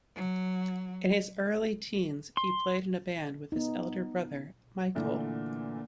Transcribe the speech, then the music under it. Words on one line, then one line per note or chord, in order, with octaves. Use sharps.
In his early teens, he played in a band with his elder brother, Michael.
F#3
C6
B3 D#4
A#2 D3 E3 A3